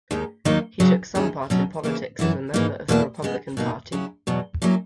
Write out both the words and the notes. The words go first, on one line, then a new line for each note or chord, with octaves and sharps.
He took some part in politics as a member of the Republican Party.
D#2 D#3 G#3 D#4
D#2 D#3 F#3 A#3 D#4
D#2 C#3 F#3
D#2 D#3 G#3 C#4 E4
B2 F#3 C#4
D#2 C#3 E3 A#3 E4
F#2 E3 B3 E4
G#2 E3 A#3 D#4
E2 B2 A#3 E4
C#3 G#3 B3
B2 A#3 D#4
C#3 F#3 C#4 E4
E2 B2 F#3
F#3 A#3 C#4 E4